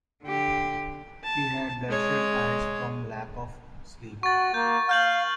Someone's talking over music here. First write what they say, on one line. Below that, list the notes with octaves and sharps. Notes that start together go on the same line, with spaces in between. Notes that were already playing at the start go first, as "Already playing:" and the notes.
She had bloodshot eyes from lack of sleep.
D3 G4
A5
G#3 C#5
F#4 C#6 A6
A#3 G6
F5 F6 G6 F#7